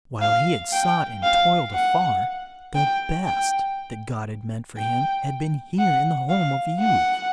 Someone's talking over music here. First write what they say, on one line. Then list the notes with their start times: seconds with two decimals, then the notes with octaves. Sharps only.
While he had sought and toiled afar, the best that God had meant for him had been here in the home of youth.
0.22 F5
0.73 G5
1.23 F5
1.74 F#5
2.75 G5
3.26 G5
4.78 G5
5.79 F#5
6.30 F5
6.80 F#5